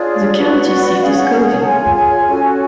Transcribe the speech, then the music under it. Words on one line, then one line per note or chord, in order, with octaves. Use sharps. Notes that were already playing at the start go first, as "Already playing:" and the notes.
The county seat is Cody.
Already playing: D4 F4 G#4 C#5 D5
F#4 B4 D5
C#5
D5
D5
C#4 G#4 C#5 F5
F#5
A5
F4 G#4 C#5 G#5
G#5
C#4 F#4 A4 C#5